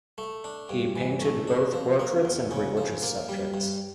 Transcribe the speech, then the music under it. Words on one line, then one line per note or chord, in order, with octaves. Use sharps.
He painted both portraits and religious subjects.
A3
D4
G2
E3
A3
D4
F3
A#3
E2
C#3
F3
A#3
G3
G2